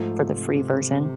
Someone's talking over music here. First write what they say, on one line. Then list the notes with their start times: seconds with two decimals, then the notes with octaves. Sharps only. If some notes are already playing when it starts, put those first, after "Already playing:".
for the free version.
Already playing: G#2 F3 A3
0.19 C3